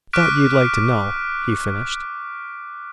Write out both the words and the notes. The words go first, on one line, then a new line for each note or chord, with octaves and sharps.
"Thought you'd like to know," he finished.
C#6 D6 F6 F#6 B6 D7